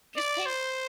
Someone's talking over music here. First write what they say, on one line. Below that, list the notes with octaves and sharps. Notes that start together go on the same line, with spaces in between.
just pay
D5
C5